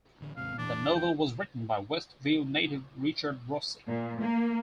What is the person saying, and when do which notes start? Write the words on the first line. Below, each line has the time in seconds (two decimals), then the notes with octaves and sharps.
The novel was written by West View native Richard Rossi.
0.20 A1 D3
0.37 D#2 G#2 C3 F5
0.58 F1 E3 D4
0.95 G5
3.88 A#2
4.21 A#3